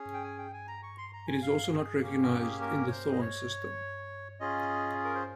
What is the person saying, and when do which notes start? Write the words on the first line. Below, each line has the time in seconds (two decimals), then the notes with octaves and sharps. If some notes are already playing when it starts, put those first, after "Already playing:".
It also is not recognized in the Thorne system.
Already playing: C#4 G#4
0.14 G5
0.24 G#5
0.38 G5
0.53 G#5
0.68 A#5
0.83 C#6
0.98 C6
1.13 A#5
1.27 G#5
1.42 F5
1.72 G#4
2.02 A#3 C#4 G4
2.22 A#4
2.42 G#4
2.61 A#4
2.87 C#5
2.91 C5
3.12 D#5
3.21 C#5
4.40 C#4 F4 G#4 D#5
5.04 A#4
5.15 C5